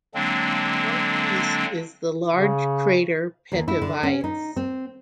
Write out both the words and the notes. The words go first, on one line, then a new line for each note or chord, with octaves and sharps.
To the northeast is the large crater Petavius.
D3 F#3 G#3 A#3 C4 D4
C#3
D#2
E4
D3
C#4
D#4
C4